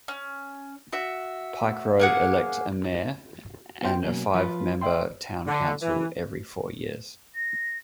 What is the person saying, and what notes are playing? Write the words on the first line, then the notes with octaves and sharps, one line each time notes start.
Pike Road elects a mayor and a five-member town council every four years.
C#4
F#4 E5
A#3 G#4 F#5
B3 C4 F4 C5 F5 G5
B2 F#3 A#3 C#4
F3 F4 B4
D5 E5 G5 C6
D3
E3
A#6